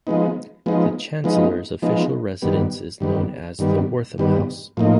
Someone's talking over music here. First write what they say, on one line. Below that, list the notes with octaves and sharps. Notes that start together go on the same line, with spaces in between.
The Chancellor's official residence is known as the Wortham House.
F3 G#3 B3 D#4
F3 G#3 B3 D#4
F3 G#3 B3 D#4
F3 G#3 B3 D#4
G2 D#3 G3 B3
G2 D#3 G3 B3
G2 D#3 G3 B3
G2 D#3 G3 B3
A2 F3 A#3 D#4